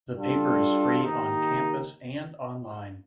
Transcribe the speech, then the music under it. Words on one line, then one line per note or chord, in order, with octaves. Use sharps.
The paper is free on campus and online.
G3 D4 F4 A4
D#3 A#3 D#4 G4